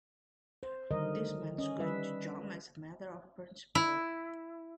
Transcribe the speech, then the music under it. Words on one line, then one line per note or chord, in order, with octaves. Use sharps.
This man's going to jump as a matter of principle.
C5
D3 D#3 G3 A#4 D#5
C#4 D#5
D#3 G3 B4 E5
E4